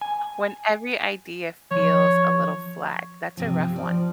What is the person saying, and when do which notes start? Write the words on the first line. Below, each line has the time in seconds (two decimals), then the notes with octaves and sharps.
when every idea feels a little flat. That's a rough one.
0.01 G#5
1.71 F3 C#5
3.37 C3 F3
3.76 F3 D5